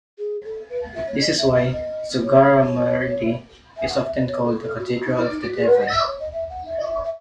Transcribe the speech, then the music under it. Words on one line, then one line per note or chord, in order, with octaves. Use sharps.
This is why Zugarramurdi is often called "The Cathedral of the Devil".
G#4
A4
B4
E5
C#5
D#5
E5
E5
D#5
C#5
E5
F#5
D#5
E5
D#5
C#5
A4
A4
F#4
F#4
D#4
E4
D#4
F#4
G#4
F#5
F#5
E5
C#5
D#5
E5
F#5
E5
E5
E5